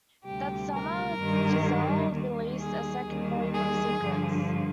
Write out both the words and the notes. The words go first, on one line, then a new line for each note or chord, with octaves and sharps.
That summer, Geisel released a second volume of "Secrets".
D2 C3 G3 G4
A#4
G2 D#3 G3
D#2 D#3 G3
G#4
D#2 D#3 G3
G#4
G2 D3 F3